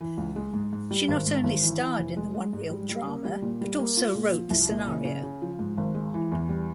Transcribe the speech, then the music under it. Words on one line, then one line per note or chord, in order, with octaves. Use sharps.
She not only starred in the one-reel drama but also wrote the scenario.
E3
C#2
G#3
G#2
G#2
G3
G#1
G#2
G#1
E3
E3
F1
G#3
G#3
G#2
G3
G3
A#3
G3
A#2
G3
A#3
F4
A#2
F3
C2
A#2
C#3
C#3
C#3
F3
G#2
G#1
G#3
E3
E2
G3